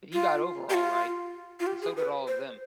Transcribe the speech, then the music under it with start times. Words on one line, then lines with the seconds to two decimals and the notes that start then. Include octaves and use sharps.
But he got over all right; and so did all of them.
0.13 F4
0.70 G4
0.74 F4
1.60 F4
1.67 G4
1.82 G#4
1.97 B4
2.28 C5